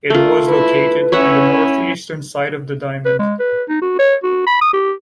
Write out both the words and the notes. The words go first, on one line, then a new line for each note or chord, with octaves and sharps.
It was located on the north-eastern side of The Diamond.
A3 F4 A#4
E4 B4
C#4 E4 C#5 E5 F#5
B4
G#3
B4
D#4
F#4
C#5
F#4
B5
D#6
G4